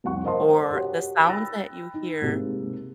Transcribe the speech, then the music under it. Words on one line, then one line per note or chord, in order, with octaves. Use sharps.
or the sounds that you hear
F1 C2 F#5 C#6
A#4 C5 D#5 F5 A5 C6
F#4 G4 A#4 C#5 F#5
G5 B5 E6 F#6 A6 A#6
D#4
G#2 C3 G#3 A#3